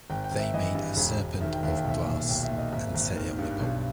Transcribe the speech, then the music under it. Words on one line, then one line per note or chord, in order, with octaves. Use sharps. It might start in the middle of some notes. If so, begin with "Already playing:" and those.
They made a serpent of brass and set it on a pole.
G#1 G5
G5
G#1
E5
E3 D#5
G2
E1
E1
D#3 E5
G5
D#2 E5
G5
B1 E5
A#2
B1 G5
E5
A#2
D#5
G#1 E5
G#1
D#3
G2
B1